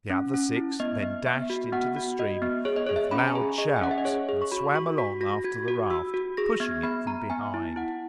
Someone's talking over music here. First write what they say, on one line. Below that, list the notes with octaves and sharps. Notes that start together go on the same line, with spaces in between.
The other six then dashed into the stream with loud shouts and swam along after the raft, pushing it from behind.
C#4
C#4
E4
B3 D#5
B3
B3 E5
F#4
B3 F#5
F#4
F#4 D#5
B3
G#4 C#5
D#5
G#4 C#5
E5
C#4 B5
A#5
G#5
G#4
G#4 D#5
G#5
C#4 F#5
E5
D#5
G#4 C#5
G#4
C#6
F#4 B5
F#4 C#6
F#4 B6
F#4 A#6
F#4 G#6
F#4
F#4 E6
F#4
G#4 A#6
B3 G#6
B3 B5
B3 A#5
B3 G#5
E4
E4 F#5